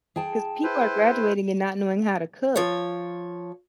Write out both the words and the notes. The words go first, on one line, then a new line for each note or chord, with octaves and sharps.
'Cause people are graduating and not knowing how to cook,
G#4 G5 A5
E4 B4 C5
F3 C#5